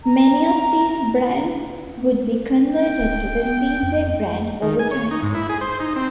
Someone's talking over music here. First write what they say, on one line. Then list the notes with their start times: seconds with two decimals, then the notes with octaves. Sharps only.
Many of these brands would be converted to the Speedway brand over time.
0.04 A#5
2.66 G5
3.00 D1
3.45 B3
3.83 F2
4.62 D#3
4.79 G#5
4.91 C#5
5.11 D#4
5.22 G#2
5.35 E4
5.49 G#4
5.61 C5
5.80 D#4
5.96 C4